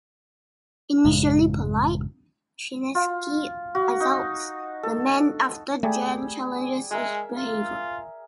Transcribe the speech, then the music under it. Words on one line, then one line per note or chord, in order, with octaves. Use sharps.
Initially polite, Chinaski assaults the man after Jan challenges his behavior.
A1 F#2 C#3 G#3
F4
F#4
D#4
A4
G3 A3 G4 G#4
G#3 G#4 A#4 E5
F4